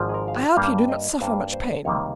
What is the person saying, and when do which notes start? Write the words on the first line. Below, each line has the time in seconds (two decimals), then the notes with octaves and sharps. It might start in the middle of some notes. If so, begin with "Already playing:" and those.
"I hope you do not suffer much pain!"
Already playing: G#1 G#2 F3
0.09 G#4
0.14 A#4
0.28 F5
0.35 G5
0.57 G2 G3 A#3 F5
0.89 D#5
1.20 G2 G3 A#3 C5
1.53 C5
1.85 C#2 C3 D#3 G3 A#3 C#5